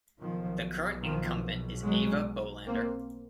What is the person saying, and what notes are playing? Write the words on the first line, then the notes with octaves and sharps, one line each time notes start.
The current incumbent is Eva Bolander.
B1 B2 D#3 F3
D#3 F3
F#3 G#3
A#3 C4